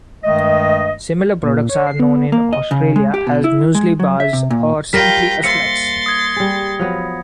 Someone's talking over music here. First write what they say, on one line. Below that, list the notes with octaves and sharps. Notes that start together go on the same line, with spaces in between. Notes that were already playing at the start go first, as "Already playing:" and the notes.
Similar products are known in Australia as muesli bars or simply 'a slice'.
G2 D#3 G#3 A3 D#5
A#2
C#5
C7
B3
A#3
D#5
C#3
G#3
G4
B2
E4
G#3
F#3
E5
C3
A#2
G3 F4 A#4 G5 A#6 B6
A#3 C5 E5 C6 A6 C#7
D#6 G#6
G3 G#4
F3 F#3 B3